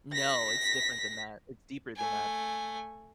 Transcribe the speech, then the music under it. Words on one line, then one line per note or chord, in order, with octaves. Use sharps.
No, it's different than that, it's deeper than that.
A#6 B6
A3 G#5